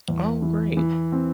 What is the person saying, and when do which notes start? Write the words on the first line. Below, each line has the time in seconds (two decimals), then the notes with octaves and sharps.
Oh, great.
0.08 E2
0.42 E3
0.77 E3
1.12 C4